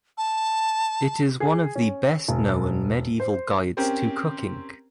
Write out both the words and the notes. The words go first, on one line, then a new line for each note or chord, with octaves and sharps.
It is one of the best-known medieval guides to cooking.
A5
G#4
C#4
E1
C5
C4 C#4 G4 A#4 C5